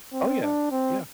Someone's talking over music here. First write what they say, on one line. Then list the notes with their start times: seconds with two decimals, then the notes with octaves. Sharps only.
Oh, yeah. Yeah.
0.13 C4
0.42 D4
0.71 C4